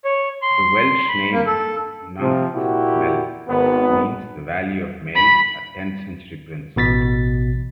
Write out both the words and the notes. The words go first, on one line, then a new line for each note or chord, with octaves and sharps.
The Welsh name, Nantmel, means 'the valley of Mael', a tenth-century prince.
C#5
C6
B5
A#3
A4
C3 F3
A#2 E4 F#4 G4
G#1 B3
B5
A1 B2 A6 B6